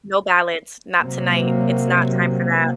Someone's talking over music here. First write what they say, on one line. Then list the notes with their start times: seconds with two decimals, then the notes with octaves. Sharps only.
No ballads, not tonight. It's not time for that.
0.99 C3 F#3 A#3